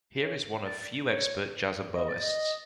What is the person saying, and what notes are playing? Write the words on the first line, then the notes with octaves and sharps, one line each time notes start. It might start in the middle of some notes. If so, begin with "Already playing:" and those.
He is one of few expert jazz oboists.
C#5
D5
C#5
D#5
D5
D#5